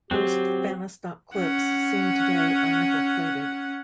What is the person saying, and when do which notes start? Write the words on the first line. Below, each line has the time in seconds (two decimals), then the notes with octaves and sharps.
Most Fahnestock clips seen today are nickel-plated.
0.11 F#3 C4 G4
1.37 C#4 F#5